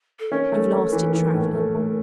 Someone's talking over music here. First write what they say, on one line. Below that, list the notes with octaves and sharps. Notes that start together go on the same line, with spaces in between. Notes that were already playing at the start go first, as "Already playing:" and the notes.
"You've lost it travelling."
A4
C#4 A#4
A3
A3
E3
E3
A2
A3
A3